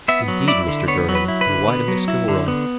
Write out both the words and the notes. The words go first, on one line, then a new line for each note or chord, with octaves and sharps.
"Indeed, Mr. Durham; and why to Mrs. Gilroy?"
B3 E5
F#3
E4 D5
D3
B3 C#5
F#3
B4
E4
B4
D3
B3
F#3
E4
D3
B3